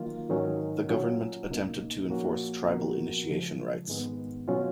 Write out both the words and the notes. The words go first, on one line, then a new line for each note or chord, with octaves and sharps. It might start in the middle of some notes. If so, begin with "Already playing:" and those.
The government attempted to enforce tribal initiation rites.
Already playing: D#3 F#3 A#3 F4
G#2 D#3 F#3 C#4
A#2 F#3 C#4 F4
C#2 B2 A#3 D#4
A#2 F3 A#3 C#4 F#4
A#2 F3 B3 F#4 A#4
C#3 F3 G#3
G#2 D#3 G#3 B3
B2 F#3 C#4 F4